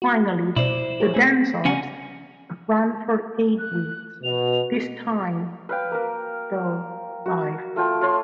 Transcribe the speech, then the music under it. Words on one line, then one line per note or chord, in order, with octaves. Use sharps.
Finally, the dance-offs, ran for eight weeks, this time though live.
F#4
B2 E4 C5 D5
G4 A#4 C#5
A3 C#4 G#4
C#3 C#4 F#5 G#5
F#6
B2 F7
B4 F5 G5
A#3 A#4
F#4
A3 F4 G5 A5
F4 C#5 C6